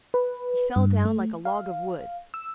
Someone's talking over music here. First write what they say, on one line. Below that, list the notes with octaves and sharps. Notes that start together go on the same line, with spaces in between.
He fell down like a log of wood.
B4
G2
A3
F5
E6